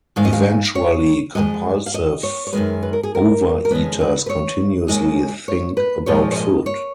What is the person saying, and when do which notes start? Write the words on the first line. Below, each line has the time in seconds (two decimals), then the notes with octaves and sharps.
Eventually, compulsive overeaters continuously think about food.
0.16 G#2 D#3 G#3 F5
0.25 D#5
0.33 F5
0.75 C#5
1.35 F2 F3 G#3 D#5
1.86 F5
1.94 D#5
2.23 C#5
2.47 C#5
2.53 F#2 D#3 G#3 B4
2.83 B4
2.93 A#4
3.03 G#4
3.15 A#4
3.65 A#4
3.71 F2 C#3 G#3 B4
4.01 B4
4.26 B4
4.30 C#5
4.88 D#2 C#3 G#3 D#5
5.48 C#5
5.77 B4
6.06 A#2 F3 G#3 C#5
6.31 C#5
6.36 D#5
6.66 C#5